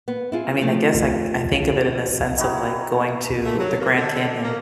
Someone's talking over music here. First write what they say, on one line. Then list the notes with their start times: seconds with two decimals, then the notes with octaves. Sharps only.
I mean, I guess, I I think of it in the sense of, like, going to the Grand Canyon,
0.08 B3
0.32 E4 F4 G#4
0.61 F3 A3
2.37 C4 D#4 E4 F#4
3.45 A3
3.59 F#3
3.80 A#3
3.96 D3
4.42 A#3